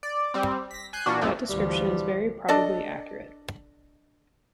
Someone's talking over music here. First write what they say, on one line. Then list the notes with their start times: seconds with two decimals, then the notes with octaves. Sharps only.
That description is very probably accurate.
0.03 D5
0.34 G3 C4
0.71 A#6 B6
0.93 G#5 F#6 G6 C7
1.06 A#2 E3 A#3 D4 F#4
1.21 C2 F#2 A2 F3 A3 A#3
1.49 D2 E3 F3 G3
2.48 D4 A4 D5 D#5